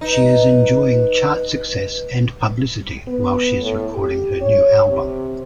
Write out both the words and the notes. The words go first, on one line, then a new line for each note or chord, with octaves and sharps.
She is enjoying chart success and publicity while she is recording her new album.
D#4 B4
B3
A2
G4
C#5
C3